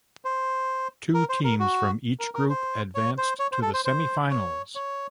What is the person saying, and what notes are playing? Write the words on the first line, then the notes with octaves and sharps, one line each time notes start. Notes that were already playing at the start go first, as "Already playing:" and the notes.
Top two teams from each group advanced to the Semifinals.
C5
A#4
C5
A#4
F#4
A#4
A#4
C5
C#5
C5
C#5
C5
A4
C5
C5
C#5
C#5